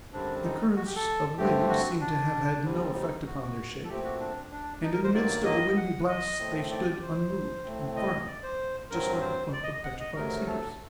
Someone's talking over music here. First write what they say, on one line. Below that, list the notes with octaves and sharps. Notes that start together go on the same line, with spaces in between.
The currents of wind seemed to have had no effect upon their shape, and in the midst of the windy blasts they stood unmoved and firm, just like a clump of petrified cedars.
F#2 D3 G3 C4 D4
D#4
F#4
G4
A4
G2 D3 A3 C4 G4
F#4
D4
D#2 D3 G3 C4
D#4
F#4
A4
A#2 A3 C4 G4
F#4
D4
D4
D#4
A#4
C5
G2 D#3 F#3 A#3 D5
D#5
F#5
D#5
A2 A3 C4
D5
C5
A2 A3 C4
D#5
D5
C5
G2 F#3 C4 A#4
C5
D5
D#5
D#5
F#5
D#5
D2 C3 F#3 A3 A#4
A4